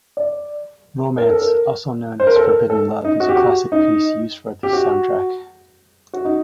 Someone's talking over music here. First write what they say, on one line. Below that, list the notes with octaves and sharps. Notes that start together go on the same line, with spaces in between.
"Romance", also known as "Forbidden Love" is a classic piece used for this soundtrack.
D5
A#4
A4
A#4
C5
A#4
A4
A#4
A4
D#4
F#4
G4
F#4
D#4
G4
F#4
F#4
D#4